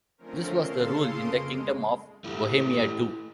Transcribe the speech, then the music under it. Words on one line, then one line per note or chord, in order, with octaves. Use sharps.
This was the rule in the Kingdom of Bohemia too.
D3 F3 A3 C4 C#4 A#4
C#3 A4 F5 C6
F2 C#3 A#3 C6 D#6 D7
G#3
A3 E4 G4